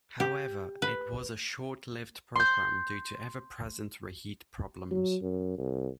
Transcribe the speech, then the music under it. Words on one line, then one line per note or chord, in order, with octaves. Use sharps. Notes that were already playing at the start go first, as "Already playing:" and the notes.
However, it was a short-lived program due to ever-present reheat problems.
G4
B4
C6 G6
F#3
F#2
C2